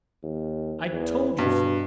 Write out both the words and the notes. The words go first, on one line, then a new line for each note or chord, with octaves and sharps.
I told you so.
D#2
E2
G2 B2